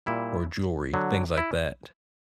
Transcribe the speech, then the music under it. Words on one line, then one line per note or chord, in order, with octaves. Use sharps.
or jewelry, things like that. It's
A#2 G3 E4
D3 F#3
E4